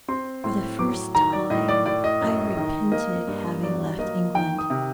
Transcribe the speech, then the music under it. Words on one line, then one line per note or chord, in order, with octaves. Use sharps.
For the first time, I repented having left England.
C4 C6
A2 C6
F#3 D6
D#3 A#5
D5
A2 D#5
D5
A2 D5
D#5
F#2
D#3
A#3 D#5
G2
F#3 D5
A#3 D#5
D#3 G5
D#6
C3